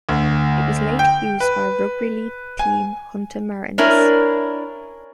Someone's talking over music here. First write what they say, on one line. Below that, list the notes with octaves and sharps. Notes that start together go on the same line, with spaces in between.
It was later used by rugby league team Hunter Mariners.
D2
G5
B4
G#5
C#4 D4 E4 A#4 G#5